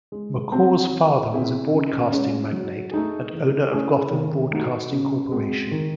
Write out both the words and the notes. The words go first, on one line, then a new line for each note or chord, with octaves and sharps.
McCaw's father was a broadcasting magnate and owner of Gotham Broadcasting Corporation.
G#3
C4 F#4
E3
C4 E4 G#4
C#3
G#3 C#4
F#3
A3 D#4 G#4
E3
A3 C#4 E4 G#4
D#3
A3 D#4 F#4
C#3
G#3 C4 F#4
D#3